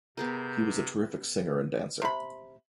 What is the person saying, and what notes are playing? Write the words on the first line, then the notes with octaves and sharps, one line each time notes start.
He was a terrific singer and dancer.
C3 B3 G#4 A#4 G6
C3 B5